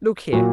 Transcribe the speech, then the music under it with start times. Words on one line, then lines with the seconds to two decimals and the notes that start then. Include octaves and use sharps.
Look here!
0.33 A#2 F#3 A#3 F#4